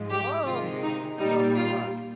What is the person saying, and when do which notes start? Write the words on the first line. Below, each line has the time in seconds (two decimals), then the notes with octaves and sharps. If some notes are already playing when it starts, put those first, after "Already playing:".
"To arms!" shouted the sergeant.
Already playing: G#2 F3 G#3
0.10 G4
0.46 C3 D#3 G#3 F4
0.83 D#4
1.19 A#2 G3 D#4
1.56 F4